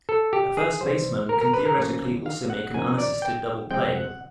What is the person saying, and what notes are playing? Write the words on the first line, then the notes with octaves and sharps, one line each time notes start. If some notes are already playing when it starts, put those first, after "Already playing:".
A first baseman can theoretically also make an unassisted double play.
A4
G4
G#4
C3 E3 G3 C5
A#4
A#4
B4
A#4
A2 F3 A#3 C#4
F5
F#5
C#3 F3 A#3 D#4 G#5
D5
G5
C3 F3 G#3 C4 G5
F#5